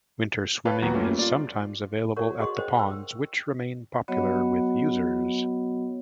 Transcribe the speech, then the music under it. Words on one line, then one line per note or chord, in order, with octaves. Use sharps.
Winter swimming is sometimes available at the ponds, which remain popular with users.
B4 C#5 F5 G5 A5
D#2 F#3 B3 B4 F#5 A#5
G3 A3 A#3 C#4 F4
F4 D5
F#4 A#4 C#5 D5 F#5 C#6
F#4 G#4 D#5 F#5 C6 C#6
A#4 C5 D#5 G5
G5 E6
F#3 B3 F#4 C#5 D#5